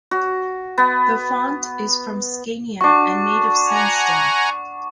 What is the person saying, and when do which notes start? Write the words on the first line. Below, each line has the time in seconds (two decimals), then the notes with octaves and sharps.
The font is from Scania and made of sandstone.
0.11 F#4
0.78 B3
2.81 D4 F#4 C#6
3.67 F#5 G#5 A#5